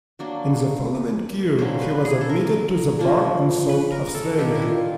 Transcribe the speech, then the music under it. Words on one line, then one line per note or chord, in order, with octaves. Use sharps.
In the following year he was admitted to the Bar in South Australia.
F#3 A#3 D4
D3 F#3 A#3 C#4 C5
B4
G#4
A4
A#4
F3 A#3 D4
B4
A#4
A4
D#3 G3 A#3 D4 G4
E4
F4